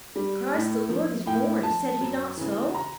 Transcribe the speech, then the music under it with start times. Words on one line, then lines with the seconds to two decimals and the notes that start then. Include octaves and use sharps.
"Christ the Lord is born; said he not so?"
0.16 G3
0.53 A2
0.90 F3
1.26 A2 G5
1.63 F3 A5
2.01 F#2
2.37 C#3 E3
2.74 A#5